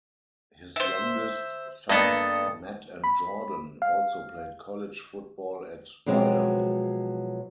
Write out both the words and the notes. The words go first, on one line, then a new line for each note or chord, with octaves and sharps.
His youngest sons, Matt and Jordan, also played college football at Idaho.
C5 E5
G2 A#3 B3 A4 D#5
B5
F5
B2 F3 F#3 G#3 C4